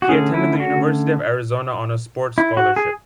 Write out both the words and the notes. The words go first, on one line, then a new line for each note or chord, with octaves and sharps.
He attended the University of Arizona on a sports scholarship.
F#4
D3 A3 C#4 G#4
E4
F#4
E4
F#4
G#4